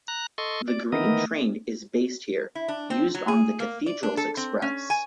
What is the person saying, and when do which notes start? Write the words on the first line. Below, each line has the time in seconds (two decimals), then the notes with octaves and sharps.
"The Green Train" is based here, used on "The Cathedrals Express".
0.08 A#5 F#6
0.38 A4 D#5 C6 C#6
0.68 D5
0.92 D#3 E3 B3 D#4 A#4 D#5
2.55 E4
2.68 D4
2.90 C4
3.15 F#3
3.28 G#4
3.60 A#3
3.86 D5
4.03 D4
4.17 A4
4.37 C4
4.62 C#4
4.90 G#5